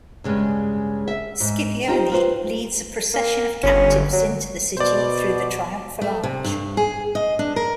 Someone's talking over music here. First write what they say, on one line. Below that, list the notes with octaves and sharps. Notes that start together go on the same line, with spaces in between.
Scipione leads a procession of captives into the city through the triumphal arch.
G2 C#3 G#3
E5
G#2
D#4 F4 G4 C5
F4 B4 C5
A#3
G1 C#4
F#3
B2 C5 D5
A3
C3
G2
G#4
D#5
D4
A#4